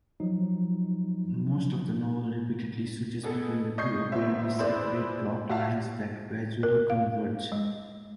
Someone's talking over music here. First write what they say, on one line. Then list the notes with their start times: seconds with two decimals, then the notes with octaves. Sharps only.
Most of the novel repeatedly switches between two apparently separate plotlines that gradually converge.
0.20 F3 F#3 D#4
3.23 B2 B3 G#4 A4
3.78 D#5 C#6 G6 G#6 C7
4.12 G#1 A#2 B3 C5 E5
4.59 E4 G#4 B4 C5 D5
5.50 F#4 G4 E5 F5 A5
6.63 A#4
6.90 F5
7.52 G#3